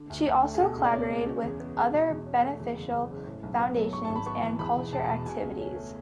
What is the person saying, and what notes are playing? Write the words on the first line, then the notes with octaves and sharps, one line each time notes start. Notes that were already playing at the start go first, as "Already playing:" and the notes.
She also collaborates with other benefic foundations and cultural activities.
Already playing: D3
D2
D2
A3
G#4
B2 A4
C#2
D5
B3 C#5
G#3
C#3
E2
B3
G#3
B2
E2
C#4
A3
E2
F#1
F#1
C#3
A2
B1
B3
F#3
G#2 C#6
G#1 A5
B5
B3 C#6
E3
E2 B5
E1
E1 A5
B2
B2 G#5
C#2
C#4
A3